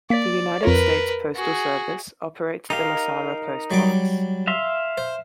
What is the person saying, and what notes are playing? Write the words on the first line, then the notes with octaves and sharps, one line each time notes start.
The United States Postal Service operates the Lasara Post Office.
A#3 D5 B6
F2 F4 A#4 B4 C#5
F#4 G#4
D#4 G4 A#4 F5
F#3 G3 D6
E5 F5 C6
C5